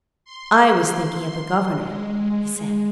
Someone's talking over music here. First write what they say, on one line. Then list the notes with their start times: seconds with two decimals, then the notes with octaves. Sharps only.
"I was thinking of the governor," he said.
0.25 C6
1.74 G#3